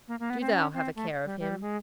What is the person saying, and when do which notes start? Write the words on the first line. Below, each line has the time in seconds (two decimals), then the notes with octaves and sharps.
Do Thou have a care of him.
0.08 A#3
0.20 A#3
0.30 B3
0.41 C4
0.52 C#4
0.74 C4
0.95 A3
1.25 G3
1.40 G3
1.61 G#3